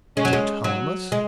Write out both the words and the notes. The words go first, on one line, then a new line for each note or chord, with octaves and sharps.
To Thomas!
G#3 C#4
F#3
G#3
F#3
G#3